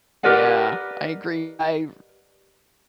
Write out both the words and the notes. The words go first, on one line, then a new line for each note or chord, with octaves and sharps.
Yeah, I agree. I
G4 A#4 B4 D5 D#5 F#5